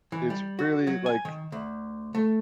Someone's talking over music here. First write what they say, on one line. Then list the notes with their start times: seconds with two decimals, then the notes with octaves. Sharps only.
it's really like
0.12 E3
0.30 G3
0.59 F#4
0.87 F#3
1.06 G#5
1.25 D#3
1.52 D2
2.15 A3